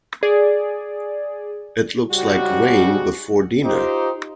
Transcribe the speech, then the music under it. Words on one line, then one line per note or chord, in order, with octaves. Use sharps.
It looks like rain before dinner.
G#4 D5
G#2 C#3 G3 F#4
D#4 F4 G4 C5